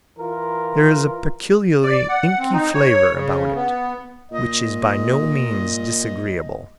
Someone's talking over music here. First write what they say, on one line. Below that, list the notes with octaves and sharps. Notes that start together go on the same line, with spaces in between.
There is a peculiarly inky flavor about it, which is by no means disagreeable.
E3 F4 A#4
D5
F#5
C4
D#4
C#5
C#3
B3
A#2 D#5